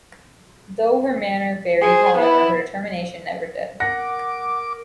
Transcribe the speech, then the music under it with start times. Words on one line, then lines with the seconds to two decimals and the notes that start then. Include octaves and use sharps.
Though her manner varied, however, her determination never did.
1.82 G#4 C5
2.18 B3 E4
3.80 A#4 F#5 D6 A#6